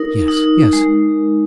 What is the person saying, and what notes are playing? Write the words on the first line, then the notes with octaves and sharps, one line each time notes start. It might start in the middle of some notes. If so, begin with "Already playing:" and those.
"Yes, yes."
Already playing: D#4 A#4
D#4
G#3